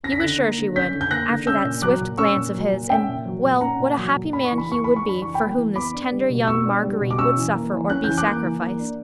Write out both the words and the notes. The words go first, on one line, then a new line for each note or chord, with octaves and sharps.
He was sure she would, after that swift glance of his, and--Well, what a happy man he would be for whom this tender young Marguerite would suffer or be sacrificed.
C#4 A#6
B6
D3 F#6 A#6
A#3
D3
C#4 G6 B6
D3
G6
A#3 F#6 A#6
D3
C#4 E6 G6
A#2
F#3 D6 F#6
A#2
C#4 C#6 E6
A#2
F#3
A#2
C#4 E5 G5
A#2
F#3
A#2
C#4 F#5 A#5
A#2
F#3
A#2
D4 B5
C#6
E3
B5
A#3 C#6
E3 B5
C#6
D4 B5
E3 C#6
G5 B5
A#3
E3
B3 B5 D6
D4
G3
B2
B3 C#6 E6
D4
G3
B2
D6
C#4 C#6 E6
E3
A#3
E3
C#4 F#6
E3 G6
D6 F#6
A#3
E3
A#3
D4